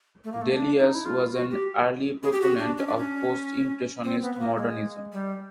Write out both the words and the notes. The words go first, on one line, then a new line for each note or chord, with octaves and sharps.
Delius was an early proponent of post-impressionist modernism.
A3
A#3
A3
D4
D#4
E4
F4
F#4
G4
G#4
G4
F#4
D4
C#4
D4
C#4
C4
B3
B3
A#3
G#3
G3